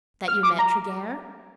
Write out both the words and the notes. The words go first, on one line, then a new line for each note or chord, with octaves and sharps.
"That you met Tregear?"
F6
D6
A#5